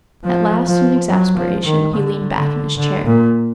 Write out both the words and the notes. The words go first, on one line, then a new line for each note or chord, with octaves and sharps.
At last in exasperation he leaned back in his chair.
F3
F3
F#3
F3
D#3
D3
D3
D3
A#2